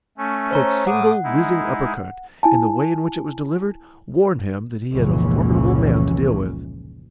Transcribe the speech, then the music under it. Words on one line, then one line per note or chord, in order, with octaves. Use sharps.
That single whizzing uppercut, and the way in which it was delivered, warned him that he had a formidable man to deal with.
A3 C#4
C5 C#5 A#5
A2 F#5 D6 D#6
G#3 D#4 E4
E4 G#5 A5
F1 C#2 A#2 E3 C#4